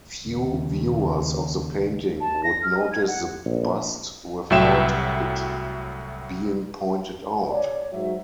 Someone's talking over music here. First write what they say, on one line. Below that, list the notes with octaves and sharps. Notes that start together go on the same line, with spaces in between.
Few viewers of the painting would notice the bust without it being pointed out.
D#2 C#3
A5
A#6
F6
D#5
G#6
F#5
A#1
C2 A2 F#3 E5 G5 E7
C#5 D5
G#2 F#3 E5